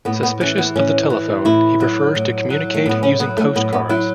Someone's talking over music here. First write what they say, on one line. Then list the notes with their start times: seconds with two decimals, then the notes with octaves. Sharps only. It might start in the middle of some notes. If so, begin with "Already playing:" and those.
Suspicious of the telephone, he prefers to communicate using postcards.
0.05 A2 B3
0.23 B3
0.41 E3 C#4
0.58 B3
0.76 A2 C#4
1.10 E3
1.45 A2 E4
1.81 F#3
2.15 A2
2.50 F#3
2.74 A3
2.86 A2 B3
3.03 C#4
3.20 F#3 B3
3.37 A3
3.55 A2 B3
3.73 B3
3.89 F#3 E4